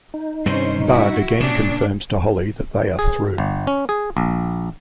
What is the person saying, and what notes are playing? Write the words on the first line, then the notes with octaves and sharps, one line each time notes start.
Bud again confirms to Holly that they are through.
D#4
G2 C3 D#3 C#4 C5
E4 F#4
A#2 C#3 D4
G#4
G1
C#4
G#4
A#1